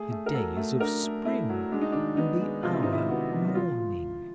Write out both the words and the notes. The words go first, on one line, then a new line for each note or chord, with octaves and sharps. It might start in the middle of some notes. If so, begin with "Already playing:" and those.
The day is of spring, and the hour morning.
Already playing: A3 G#4
A3
A#4
F#3 A4
A3
D4 A#4
A3
A3 E4
F#3
G#3 D4
D#4
D4
D#3
B3 D#4
G#3
C3 F4
E4
D#3 D#4
E4
B3 F#4
C3
F#4
F3 F4
F3